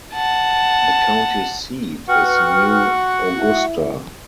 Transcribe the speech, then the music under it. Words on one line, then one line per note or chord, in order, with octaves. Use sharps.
The county seat is New Augusta.
F#5 A5
F#4 B4 F#5 G5 C#6 F6
E4 E5